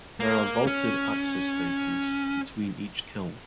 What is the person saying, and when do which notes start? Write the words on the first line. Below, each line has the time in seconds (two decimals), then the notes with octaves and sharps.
There are vaulted access spaces between each kiln.
0.20 A#3
0.67 C#4